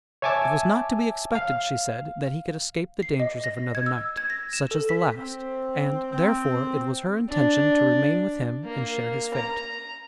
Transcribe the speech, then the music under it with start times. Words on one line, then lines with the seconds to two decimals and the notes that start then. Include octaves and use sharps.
It was not to be expected, she said, that he could escape the dangers of another night, such as the last; and therefore it was her intention to remain with him, and share his fate.
0.22 C#5 E5 G#5 A5 D6 E6
1.35 F5
3.02 C7
3.20 D#5
3.44 A#6
3.75 G#6
3.86 E6
4.17 G#6
4.30 A#6
4.53 E7
4.71 A4
4.89 B6
5.16 C4
6.11 C4
7.29 D4
8.64 A#3
9.34 A#5